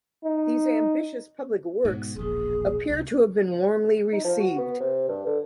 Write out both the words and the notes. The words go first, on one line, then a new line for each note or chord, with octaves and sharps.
These ambitious public works appear to have been warmly received.
D#4
G#2 B2
E1 A#1 G#4
C2
D#4
F3
F#4
B3
C3
G2
D3